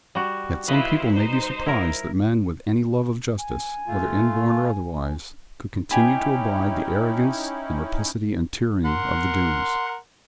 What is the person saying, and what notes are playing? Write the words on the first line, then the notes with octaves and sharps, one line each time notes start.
Yet some people may be surprised that men with any love of justice, whether inborn or otherwise, could continue to abide the arrogance, and rapacity, and tyranny of the Doones.
G3 F#4
E4 F4 B4 D#5
D#4 C5
E4 A#4
G#5
A3 F4
C#4 D#4 E4 G4 G#5 B5
A#4 F#5 C6